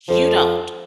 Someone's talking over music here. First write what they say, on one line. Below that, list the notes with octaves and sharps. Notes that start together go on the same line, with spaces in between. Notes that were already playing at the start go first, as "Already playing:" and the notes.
You don't.
F2 F3